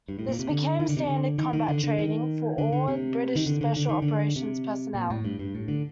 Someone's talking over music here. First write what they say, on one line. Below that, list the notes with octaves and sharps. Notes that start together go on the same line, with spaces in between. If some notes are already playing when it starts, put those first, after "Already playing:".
This became standard combat training for all British Special Operations personnel.
G2
A2
A#2
C3
D3
D#3
D3
C3
D3
D#3
D#3
D3
D3
D#3
D3
D3
C3
D#3
D3
D3
D3
D#3
D3
C3
A#2
A2
G2
G2
A2
D3